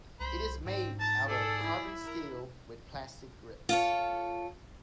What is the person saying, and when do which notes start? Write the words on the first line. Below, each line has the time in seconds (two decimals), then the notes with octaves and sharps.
It is made out of carbon steel with plastic grips.
0.20 C2 C5 B5
0.65 G#2 C4
1.00 A5 A#5 A6
1.28 G#4 A4 D5
1.62 E4
2.07 A#4
3.69 F4 A4 C#5